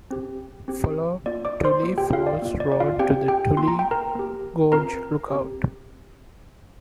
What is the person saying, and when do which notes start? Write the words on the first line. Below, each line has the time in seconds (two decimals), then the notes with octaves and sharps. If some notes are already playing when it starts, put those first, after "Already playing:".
Follow Tully Falls Road to the Tully Gorge Lookout.
0.11 C4 G4
0.68 C4 G4
1.26 A#3 F4 D5
1.45 D5 D6
1.64 C5 C6
1.83 A#3 F4
1.98 G4 G5
2.13 F4 F5
2.27 D5
2.42 A#3 F4
2.60 D5
2.72 D5
2.80 F4 F5
2.99 C4 F4 G4 G5
3.28 G4 G5
3.57 A#3 F4 C6
3.68 A#5
3.79 G5
3.91 A#4 A#5
4.15 A#3 G4
4.72 C4 F4 A#4 A#5
5.30 C4 G4